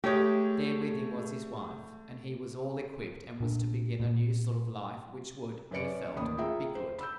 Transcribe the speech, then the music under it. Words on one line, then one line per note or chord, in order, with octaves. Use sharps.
There with him was his wife, and he was all equipped and was to begin a new sort of life which would, he felt, be good.
G#3 A3 G4 C#5
A#2 D4
A#2
F#2 C#4 B4 D5 C#7 D7
A1 D#2 B5 D#6
F4 G#4 E5 G5 A#5
C5
B5 E6 G6